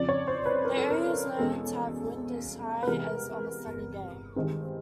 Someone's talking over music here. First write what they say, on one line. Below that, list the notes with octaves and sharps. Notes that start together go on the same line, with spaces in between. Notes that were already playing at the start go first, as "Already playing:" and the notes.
The area is known to have wind as high as on a sunny day.
Already playing: F2 C#3 F3 D5
C#5
C5
B4
A#4
A4
A#4
E2 B2 G#3 C#4 A4
B4
C3 E3 G#3 B3 A#4
G2 D#3 G#3 C4